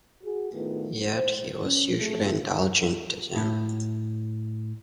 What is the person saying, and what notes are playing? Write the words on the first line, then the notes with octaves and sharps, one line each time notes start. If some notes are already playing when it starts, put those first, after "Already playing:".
Yet he was usually indulgent to them.
F#4 G#4
A2 D#3 A3 B3 F4
C5
C#4
F2 A3 G#4
A2